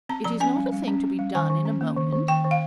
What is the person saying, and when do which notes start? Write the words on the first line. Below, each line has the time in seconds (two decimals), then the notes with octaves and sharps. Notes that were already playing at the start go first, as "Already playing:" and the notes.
'It is not a thing to be done in a moment.'
0.09 C4 A#5
0.24 F3 A#5
0.40 C#4 G#5
0.56 G3
0.73 G3
0.88 C#4
1.04 C#4
1.19 G3
1.35 D#3 G#5
1.50 D#3
1.66 C#4
1.81 A#3
1.96 D#3
2.13 D#3
2.28 D#3 G5
2.44 D#3
2.51 F5